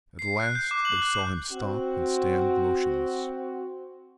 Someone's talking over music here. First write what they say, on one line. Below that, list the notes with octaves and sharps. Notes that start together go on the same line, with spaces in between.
At last, they saw him stop and stand motionless.
C7
F#6
G6
D6
F#7
F#6
C4 F#4